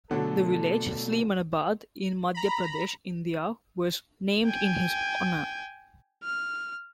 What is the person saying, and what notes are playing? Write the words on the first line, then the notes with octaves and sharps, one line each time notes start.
The village Sleemanabad in Madhya Pradesh, India was named in his honour.
B2 D3 F#3 A3 B3 A4
A#5 B5
G5 G#5
F6